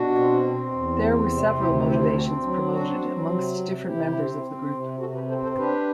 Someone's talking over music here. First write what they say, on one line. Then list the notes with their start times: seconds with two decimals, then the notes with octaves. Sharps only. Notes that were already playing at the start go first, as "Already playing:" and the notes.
There were several motivations promoted amongst different members of the group.
Already playing: B2 D4 F#4
0.15 C4
0.44 C4
0.72 E2
1.01 C4
1.29 C3
1.57 D2 E4 G4
1.86 C4 E4 G4
2.15 C4 D4 F#4
2.29 D4
2.43 F#3 D4
2.71 C4 D4 F#4
3.01 F#3
3.29 C3
3.58 C3
3.86 C3 E4 G4
4.14 C4
4.43 C4
4.72 C3
5.00 C3 F#4 A4
5.14 G4 B4
5.28 C4 A4 C5
5.43 A4 C5
5.57 D4 G4 B4